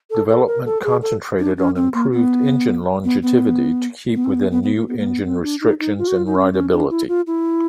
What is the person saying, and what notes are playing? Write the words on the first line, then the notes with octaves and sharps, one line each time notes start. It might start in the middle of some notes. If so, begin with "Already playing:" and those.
Development concentrated on improving engine longevity, to keep within new engine restrictions, and rideability.
A4
A4
A#4
A4
G#4
A4
D4
C#4
C4
A#3
B3
B3
B3
B3
C4
B3
B3
B3
A#3
B3
A#3
B3
C4
D4
D#4
D#4
F4
F#4
F4
D#4
C#4
C#4
D4
E4
F4
E4